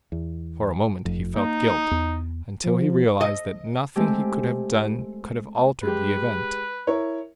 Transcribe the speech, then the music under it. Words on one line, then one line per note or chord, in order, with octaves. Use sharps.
For a moment, he felt guilt, until he realized that nothing he could have done could have altered the event.
E2
F1 F2
A#3 D#4
E2
F3
D#5
G#3 A3 C4 G4
G#3 G4 B4
E4 A#4 C#5